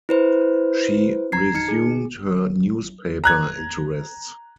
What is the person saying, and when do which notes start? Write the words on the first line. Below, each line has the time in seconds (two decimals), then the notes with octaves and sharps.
She resumed her newspaper interests.
0.09 E4 B4 C5
1.32 A#5 G#6 C7
1.55 D#4 C#7
1.68 G#4
3.24 A#5 F#6 G#6